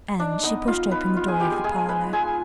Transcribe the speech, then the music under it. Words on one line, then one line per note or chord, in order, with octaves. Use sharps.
And she pushed open the door of the parlour.
D4 D#4 D5
B3 D#4 D#5
D#4 F4 F5
D#4 B4 B5
F4
G#4 G#5
G#3 G4 G5
G#4 G#5
G#3 G#4 G#5
G#3 B4 B5
F4 G#4 G#5